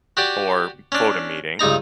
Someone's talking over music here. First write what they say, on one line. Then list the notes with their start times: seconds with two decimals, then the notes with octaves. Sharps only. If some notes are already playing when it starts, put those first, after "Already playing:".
or quota meeting.
0.17 F#4 G4 D5
0.92 C#4 D4
1.59 C#2 G2 D#4 A#5